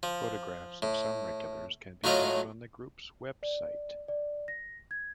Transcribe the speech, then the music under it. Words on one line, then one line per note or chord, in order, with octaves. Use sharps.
Photographs of some regulars can be found on the group's web site.
F3
A2
A2 F#3 A3 F4 D#5 F5
D5
D5
A#6
G#6